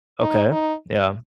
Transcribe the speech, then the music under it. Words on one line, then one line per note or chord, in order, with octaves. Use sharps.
Okay. Yeah.
D#4
D#4